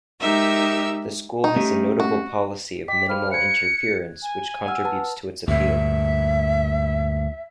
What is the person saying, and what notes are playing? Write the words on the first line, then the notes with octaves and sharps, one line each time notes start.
The school has a notable policy of minimal interference which contributes to its appeal.
G#3 D#4 G4 A#4 E5 E6
D#4
A3 C#4 G4
F#4
D#5 G5 D6 B6
C5 F5 B5 F6
F#6 G#6 C#7
G#5
F#5 E6 F6
B4 A5
D2 G2 A#2 E5